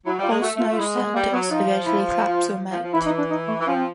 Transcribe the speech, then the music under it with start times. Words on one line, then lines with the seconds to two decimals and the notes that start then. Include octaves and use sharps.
All snow shelters eventually collapse or melt.
0.06 F#3 E4
0.17 G3
0.23 F4
0.30 G#3
0.41 A3 F#4
0.54 A3
0.60 F4
0.65 A3
0.72 F4
0.78 G#3 E4
0.95 B3
1.14 G3 A#3
1.32 F#3 B3
1.50 F3 D#4
1.86 E4
2.23 F4
2.70 F3
2.82 F3
2.94 E3 E4
3.06 D#4
3.18 D4
3.30 D#4
3.48 A3
3.59 E3
3.66 F3 C#4
3.75 C4